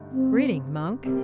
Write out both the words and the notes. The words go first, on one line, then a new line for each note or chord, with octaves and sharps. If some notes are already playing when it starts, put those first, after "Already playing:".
'Greeting, monk.
Already playing: G2 D3 A3 D#4
C4
C3 G3 A#3 C4